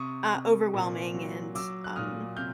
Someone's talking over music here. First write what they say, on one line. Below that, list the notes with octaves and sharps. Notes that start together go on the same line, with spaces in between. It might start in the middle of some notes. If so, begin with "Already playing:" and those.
uh, overwhelming and, um,
Already playing: C3 C#6 D#6
C3
A#2
F#3
F#3 D6 E6
F#6
A#2 D#6 F6
C3 F6 G6